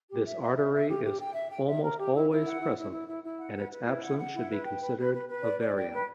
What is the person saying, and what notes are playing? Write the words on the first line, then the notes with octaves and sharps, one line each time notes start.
This artery is almost always present and its absence should be considered a variant.
G4
E5
E5
E5
E5
G4
G4
G5
E5
G5
E5
A#4
G4
E4
E4
F#5
E4
E4
E4
E4
E4
F#5
B4
B4
E4
F#5
F#5
E4
B4
G5
B4
B4
B4
B4
D5
D5
G5
B4